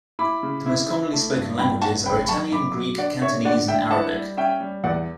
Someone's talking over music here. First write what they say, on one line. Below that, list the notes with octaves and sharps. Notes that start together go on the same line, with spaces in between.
The most commonly spoken languages are Italian, Greek, Cantonese and Arabic.
E4 B5 D6
C#3
E4
E4
A3
G2
G2 G5 B5
G2 F#5 A5
C#3 G5 B5
B5
F#2 A5 C#6
F#2 B5 D6
F#3
D3 D5 F#5
D4 C#5 E5
D3 D5 F#5
D4 E5 G5
E4 F#5 A5
G3
C#4 E5 G5
G3
E2 D5 F#5